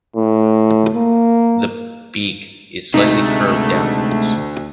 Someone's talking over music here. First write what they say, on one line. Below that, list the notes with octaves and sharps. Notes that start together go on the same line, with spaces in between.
The beak is slightly curved downwards.
A2
A#3
D2 C3 G#3 A3 D#4